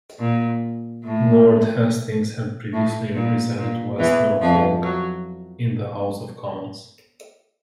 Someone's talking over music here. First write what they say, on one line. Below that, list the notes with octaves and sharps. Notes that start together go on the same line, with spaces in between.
Lord Hastings had previously represented West Norfolk in the House of Commons.
A#2
A2
A2
A#2
A#2
E2 E3
F2 F3
F#3